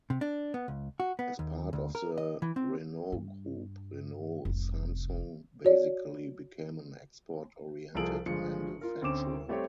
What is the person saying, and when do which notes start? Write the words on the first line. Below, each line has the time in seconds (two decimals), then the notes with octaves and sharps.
As part of the Renault group, Renault Samsung basically became an export-oriented manufacturer.
0.10 C3
0.21 D4
0.54 B3
0.68 C#2
1.00 F#4
1.19 B3
1.39 D#2
1.73 D2
1.95 A#4
2.18 D#5
2.42 E3
2.56 C4
3.12 G2
4.45 F1 C2
5.65 F#4 C#5 D5
7.95 C2 F3 G#4 A4 D7 F#7
8.26 G1 F3 G#3 C#7
8.81 F4 A#4
9.02 D2 C4 C#4 D6 E7
9.48 G3 A3 C4 G4 C5 C#5